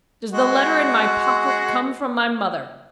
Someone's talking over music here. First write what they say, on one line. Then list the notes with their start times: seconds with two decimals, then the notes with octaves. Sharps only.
"Does the letter in my pocket come from my mother?"
0.33 G#3 F#4